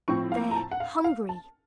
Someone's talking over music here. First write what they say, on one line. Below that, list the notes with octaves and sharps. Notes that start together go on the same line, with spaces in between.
"They're HUNGRY!"
A2 F3 C4 C#6
F5
A#5
A5
F#5
F5
F5
A5